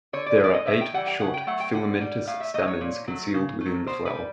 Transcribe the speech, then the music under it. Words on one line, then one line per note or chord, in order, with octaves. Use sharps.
There are eight short filamentous stamens concealed within the flower.
D3 C#5
D5
F3
G#3 D5
D#5
A2 E5
G5
E3 G3 F#5
G5
C#3 F#5
G5
F#3 A3 F#5
G5
D3 F#5
G3
A2 F5
E5
F#3 A3 D#5
C#5
A#2
F#3 A3
C#3
A3
F#3
B2 C5
B4
G3